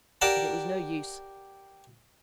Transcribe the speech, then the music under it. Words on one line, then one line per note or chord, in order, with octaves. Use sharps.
But it was no use.
G4 A#4 D5 F#5 A5